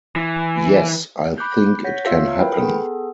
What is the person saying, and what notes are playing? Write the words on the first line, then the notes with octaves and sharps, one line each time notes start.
Yes, I think it can happen.
E3
B5 D6 F#6 G6
C#5 F#5 G6 A#6 B6
F4 C#5 E5 F5 E6
E4 A#4 B4 G5 B5
B3 G#4 A4